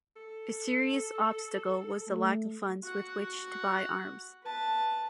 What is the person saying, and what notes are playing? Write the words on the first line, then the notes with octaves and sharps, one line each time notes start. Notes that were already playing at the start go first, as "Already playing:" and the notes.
A serious obstacle was the lack of funds with which to buy arms.
A4
A3
F#4 F#5
B4 A5